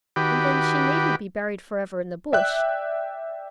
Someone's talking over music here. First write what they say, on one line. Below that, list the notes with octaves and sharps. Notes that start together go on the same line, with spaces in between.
'And then she needn't be buried for ever in the Bush.
D#3 F#4 G4 B4 D6
D5 E5 G5 F#6